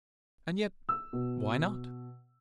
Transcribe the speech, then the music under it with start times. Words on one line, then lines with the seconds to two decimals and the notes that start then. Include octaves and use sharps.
And yet--why not?
0.89 E6
1.13 B2